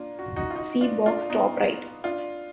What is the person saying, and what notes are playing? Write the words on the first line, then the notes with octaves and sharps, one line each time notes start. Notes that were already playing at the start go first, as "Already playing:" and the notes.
See box, top right.
Already playing: A#3 D4 F4
F#4
D#4 F#4
F4
D#4 F#4
D4 F4
D4 F4
B3 D#4
D4 F4